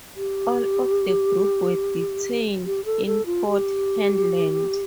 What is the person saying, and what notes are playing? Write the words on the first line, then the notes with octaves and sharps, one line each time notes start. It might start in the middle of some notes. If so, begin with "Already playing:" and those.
All of the group were detained in Port Hedland.
G4
G4
A4
A4
F4
G4